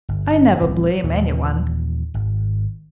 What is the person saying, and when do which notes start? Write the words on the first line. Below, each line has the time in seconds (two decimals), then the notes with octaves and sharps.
I never blame anyone.
0.09 G1
0.60 D1 C2 A2 C4
1.04 D#2 A#2 E3
2.14 G#1